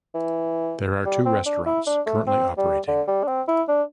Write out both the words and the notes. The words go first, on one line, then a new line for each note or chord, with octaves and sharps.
There are two restaurants currently operating.
E3
G3
C4
D4
E4
D4
A3
C4
G3
D3
G3
D4
C4
E4
D4